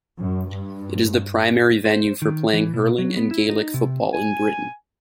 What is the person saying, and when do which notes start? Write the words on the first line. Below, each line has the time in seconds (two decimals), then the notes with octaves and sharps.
It is the primary venue for playing hurling and Gaelic football in Britain.
0.20 F#2
0.50 G2
1.85 C5
2.22 D#3
2.53 E3
2.74 B2
2.98 F#3
3.17 B3
3.31 E4
3.49 D#4
3.74 C3
4.13 G#5